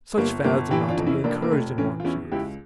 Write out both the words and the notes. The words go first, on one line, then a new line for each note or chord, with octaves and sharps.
Such fads are not to be encouraged in one's youth.
G1 G3 A#3
G1 G3 A#3
E3 E4 G4
D4 F4
F2
C#4 E4
F1 A#3 D4
A#3
F1 A3
E3 A3 C#4
F4
E2 C#4 E4
C#2 E4 G4